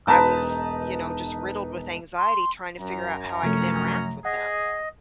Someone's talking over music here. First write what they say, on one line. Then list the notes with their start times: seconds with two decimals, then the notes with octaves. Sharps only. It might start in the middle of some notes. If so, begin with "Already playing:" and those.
I was, you know, just riddled with anxiety trying to figure out how I could interact with them.
0.07 E1 D#4 B4 A5 A#5
2.17 C6
2.79 F#2 A#5
3.43 C3 F3 A3 C#4
4.25 G#4 D#5 F#5